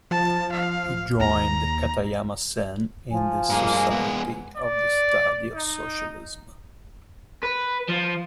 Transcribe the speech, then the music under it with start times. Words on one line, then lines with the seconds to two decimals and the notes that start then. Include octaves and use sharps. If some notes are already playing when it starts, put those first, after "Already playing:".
He joined Katayama Sen in the "Society of the Study of Socialism".
0.11 F3 A5
0.52 F5
1.20 D#2 A#5
3.11 F3 G#5
3.49 G2 A#3 G#4
3.90 G#3 B3
4.57 D5
5.55 D#4
7.43 B4
7.89 F3